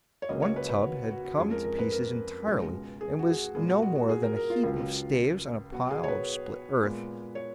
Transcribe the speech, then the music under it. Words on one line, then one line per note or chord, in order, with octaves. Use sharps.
One tub had come to pieces entirely and was no more than a heap of staves on a pile of spilt earth.
C#5
C#2 C#3 F#3 A#3 C#4 D#5
C#5
B4
B4
F#4
F#4
F#4
F#4
F2 F3 G#3 C#4 G#4
A#4
A#4
B4
A#4
C#2 B2 G#3
G#4
F#4
G#4
F#4
A#2 G#3 B3 G#4
F#4
F#4
F#4
G#4
A#4
A#4
F4
C#2 C#3 F#3
B2 F#3 B3 F#4
G#4
C#5
B4
A#2 G#3 B3
C#5